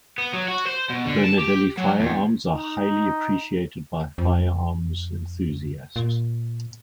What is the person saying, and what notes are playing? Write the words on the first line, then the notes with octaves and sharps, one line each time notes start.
Bernardelli firearms are highly appreciated by firearms enthusiasts.
B3
F#3
F#4
C5
B2
D3
A5
G4
F#3
E2
D#4
F2
A#2